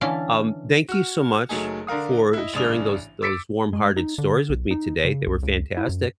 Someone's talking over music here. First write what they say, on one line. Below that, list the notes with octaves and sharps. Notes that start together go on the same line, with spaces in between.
um, thank you so much for sharing those those warm-hearted stories with me today, they were fantastic.
D3 E3 C#4 E4 A4 F5
F#4 F6
F#1 F#3 A3 D#4 G#4
D3 D4 A#4 F5 D#6
E4 D#5
A1 G#2 C#3 D4 D#6 F7
D6 E6 A6 B6 C#7 D7
G#3
D#4
D3
B1
D#4
C#3
C2
C#2
E4
F#2